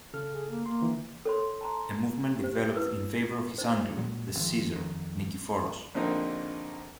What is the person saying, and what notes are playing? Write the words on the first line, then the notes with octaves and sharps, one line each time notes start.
A movement developed in favor of his uncle, the "Caesar" Nikephoros.
C#3 A4 F6
G#4
A#3
A#3 C6
D3 E3
A4 C#5 C6
A5 A#5 C6
G4 C5
E4 B4 D#6 E6
D#4 C5
A#2 F#3 G#3
G#1 B2 F3
F2 D#3
A#1 D3 A#3 C4 D#4 A#4